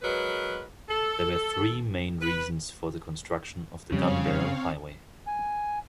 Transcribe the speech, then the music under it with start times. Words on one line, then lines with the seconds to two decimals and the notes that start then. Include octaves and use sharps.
There were three main reasons for the construction of the Gunbarrel Highway.
0.02 F#3 G#3 A#4 B4
0.89 A4
2.20 B4
3.92 F2 C#3 G3 C4 C#5 F5
5.27 G#5